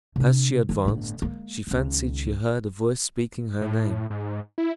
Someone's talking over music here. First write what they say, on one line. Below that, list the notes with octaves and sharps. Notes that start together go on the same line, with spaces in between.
As she advanced she fancied she heard a voice speaking her name.
C3 D4
D#3 G#3
G1 A2
G#3 A#3
C#2 D#3
A2
G#2
E4